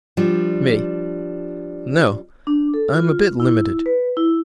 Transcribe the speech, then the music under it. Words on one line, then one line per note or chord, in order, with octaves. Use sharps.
ME: No. I'm a bit limited.
F3 G3 D4
D4
A4
F4
E4
B4
E4